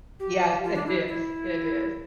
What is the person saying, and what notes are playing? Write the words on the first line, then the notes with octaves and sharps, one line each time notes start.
Yes, it is. It is.
G4
F4
D4
E4
E4